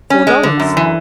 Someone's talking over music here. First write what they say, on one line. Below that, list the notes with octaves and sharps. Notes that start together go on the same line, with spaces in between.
"Four dollars."
C#4
G#3
D3
F#2
E3